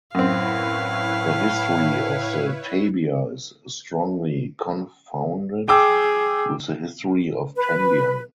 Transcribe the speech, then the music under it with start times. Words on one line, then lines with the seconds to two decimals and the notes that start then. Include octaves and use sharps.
The history of the "tabia" is strongly confounded with the history of Tembien.
0.15 F#2 A2 C4 E4 B4 C#5 F5
5.68 G#4 G5 D6 E6
7.57 B4